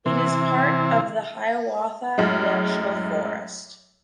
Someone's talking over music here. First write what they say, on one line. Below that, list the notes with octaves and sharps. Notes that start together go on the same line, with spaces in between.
It is part of the Hiawatha National Forest.
C3 E3
F#2 A2 G#3